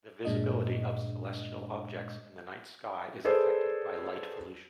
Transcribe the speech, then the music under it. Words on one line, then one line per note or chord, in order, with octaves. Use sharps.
The visibility of celestial objects in the night sky is affected by light pollution.
G2 A#2 G#3 D4 D#5
G#4 A4 B4 C5 D5